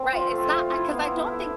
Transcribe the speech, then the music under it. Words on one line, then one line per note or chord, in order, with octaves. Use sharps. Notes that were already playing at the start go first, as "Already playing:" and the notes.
Right, it's not I 'cause I don't think
Already playing: C4
F4
C6
A3
F4
E4
B3
E4
E4